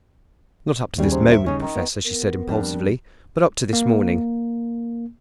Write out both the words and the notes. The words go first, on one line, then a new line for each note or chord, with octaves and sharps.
"Not up to this moment, Professor," she said impulsively, "but up to this morning."
D#2 C#3 G3 G#4
C3
E5
C#3 C#4 D#4
D#3
B3
B3 A#4
F2 G3 D4
A#3